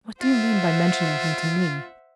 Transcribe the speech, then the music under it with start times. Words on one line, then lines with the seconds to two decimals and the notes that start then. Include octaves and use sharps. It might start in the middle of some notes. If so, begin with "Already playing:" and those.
"What do you mean by mentioning him to me?"
0.22 F4 C5 E5 F#5